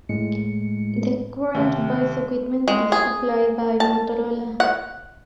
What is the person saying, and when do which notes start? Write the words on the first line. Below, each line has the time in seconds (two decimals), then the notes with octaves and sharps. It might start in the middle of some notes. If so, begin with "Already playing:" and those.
The current voice equipment is supplied by Motorola.
0.09 A2 G#3 C#7
1.55 D#2 C3
2.68 G#3
2.92 G#4
3.80 A5
4.60 F#5